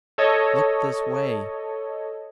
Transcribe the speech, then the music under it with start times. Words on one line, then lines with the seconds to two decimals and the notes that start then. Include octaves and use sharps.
Look this way!
0.18 A4 C#5 D#5